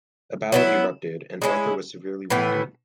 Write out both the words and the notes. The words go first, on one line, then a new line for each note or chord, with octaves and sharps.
A battle erupted, and Arthur was severely wounded.
F#3 B3 E4
G#3 C#4 E4
A2 E3 B3